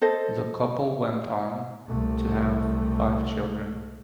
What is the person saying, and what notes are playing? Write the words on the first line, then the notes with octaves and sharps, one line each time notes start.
The couple went on to have five children.
A4 C5 D#5
C2 A3